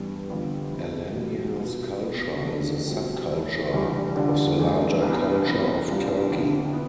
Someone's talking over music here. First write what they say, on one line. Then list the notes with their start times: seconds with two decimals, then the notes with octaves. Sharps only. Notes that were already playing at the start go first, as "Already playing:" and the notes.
Alanya's culture is a subculture of the larger Culture of Turkey.
Already playing: G2 E3 G3 B3
0.29 F2 D3 G3 B3 F4
0.72 C3 F3 B3 E4
1.14 E2 B2 G3
1.58 B2 B3 F4
2.01 C2 B2 B3
2.44 F2 D3 A3 D4
2.87 B2 G3 C4 F4
3.30 A2 E3 A3 E4
3.73 C2 C3 E3 G3 D4
4.16 D3 G3 D4 F4
4.59 G2 E3 A3 D4
5.01 C2 C3 E3 B3
5.45 C3 F3 B3
5.87 C2 C3 G3 D4 F4
6.31 F2 D3 F3 C4 E4
6.73 B3